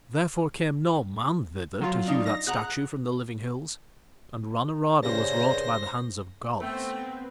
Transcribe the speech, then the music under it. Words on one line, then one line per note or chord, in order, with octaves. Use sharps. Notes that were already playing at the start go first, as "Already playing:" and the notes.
Therefore came no man thither to hew that statue from the living hills, and Ranorada was wrought by the hands of gods.
F#3 F4
D4 D#4 F5
A#6
G#4 F#5 A#5 F#6
G2 C#3 C5 A#6
A3 B3 C4 B4 G5